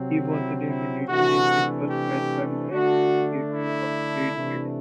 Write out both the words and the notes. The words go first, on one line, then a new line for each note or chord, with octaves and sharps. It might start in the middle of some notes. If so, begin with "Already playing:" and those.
He was eliminated in his first match by Max Cater of Great Britain.
Already playing: C3 F#3 C4
E4
E4
C3 E3 A3 D4 F#4
G4
D3 A3 D4 F#4
E4
C3 E3 A3 D4